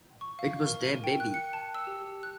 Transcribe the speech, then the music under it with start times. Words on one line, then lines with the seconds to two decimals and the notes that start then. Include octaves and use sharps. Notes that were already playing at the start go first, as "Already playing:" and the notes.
It was their baby.
0.21 C#6
0.39 F5
0.67 A#4
0.85 D#7
1.04 G5
1.20 F#6
1.34 C#7
1.53 A5
1.75 E6
1.87 G4
2.23 F#6